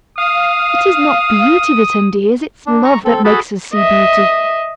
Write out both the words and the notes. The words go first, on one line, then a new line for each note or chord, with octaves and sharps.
It is not beauty that endears, it's love that makes us see beauty.
F5 D#6
D4
A#5 C#6
C4 A4
F#4 G#4 A4 A5 B5
D#5 E5